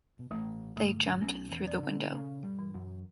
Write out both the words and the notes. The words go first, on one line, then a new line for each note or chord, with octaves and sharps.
They jumped through the window.
B2
A1 A2 A3
G1 G2 A3
G2
A2
B1 B2 C#4
E2 E3
D5
D3 D4
C#3 C#4 A4
G2 G3
E3
F#2 F#3